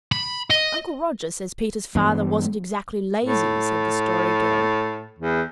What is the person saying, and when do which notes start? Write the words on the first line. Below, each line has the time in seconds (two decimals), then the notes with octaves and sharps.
"Uncle Roger says Peter's father wasn't exactly lazy," said the Story Girl.
0.12 B5
0.50 D#5
1.95 G2 E3 B3 D4
3.24 A2
5.18 E2